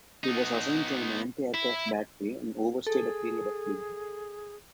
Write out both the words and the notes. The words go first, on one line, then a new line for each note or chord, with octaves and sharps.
He was assigned to an anti-aircraft battery and overstayed a period of leave.
B3 D#4
E4
G#4 A4